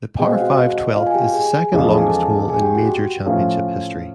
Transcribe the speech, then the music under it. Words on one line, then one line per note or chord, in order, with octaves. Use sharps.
The par five twelfth is the second longest hole in major championship history.
B2 G#3 C4 G5
F#5
F5
F#4 F#5
F4 F5
G#5
G4 G5
G#4 G#5
E2 C#3 F3 G#3
A5
G#5
A4 A5
G#4 G#5
G4 G5
F#4 F#5
G4 G5
A2 F3 A3 C#4 F4